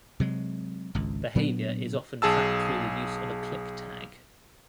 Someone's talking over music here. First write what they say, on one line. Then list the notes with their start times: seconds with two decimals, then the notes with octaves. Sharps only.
Behavior is often tracked through the use of a click tag.
0.20 C3 F#3 G#3
0.95 G#1 C#2
1.35 A#2 F#3 B3 D4
2.22 B1 G#4 A5 E6